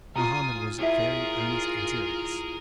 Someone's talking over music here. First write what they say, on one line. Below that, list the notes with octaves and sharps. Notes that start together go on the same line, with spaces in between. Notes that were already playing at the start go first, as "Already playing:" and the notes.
Mohammed was very earnest and serious.
F4 G#5 A#5 D#6
E4 F4 G#4 A#4 C#5 E5